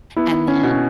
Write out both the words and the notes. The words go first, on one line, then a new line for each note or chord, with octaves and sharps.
and then,
B3 E4
C#4
B2